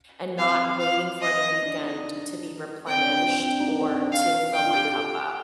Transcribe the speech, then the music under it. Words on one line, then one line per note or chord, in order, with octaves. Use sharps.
and not waiting for the weekend to be replenished or to fill my cup up.
C4 F5
F5
D#5
D4
D#4
D4
C4 G5
D4
D4
F4
C4
C4
D4
D#4
D4
C4
D4
C4
F5
D4 G5
F4
G4
A4